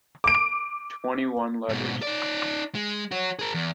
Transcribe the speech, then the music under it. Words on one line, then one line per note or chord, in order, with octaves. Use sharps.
Twenty-one letters.
D6 D7
G#2 B2
D#4 D5
G#3
F#4 C#5
G#4 A#4
E2